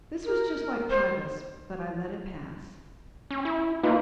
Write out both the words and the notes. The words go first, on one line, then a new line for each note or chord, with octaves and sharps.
This was just like Pybus--but I let it pass.
A#4
C5
C#4
E4
A#3 D#4 F4 B4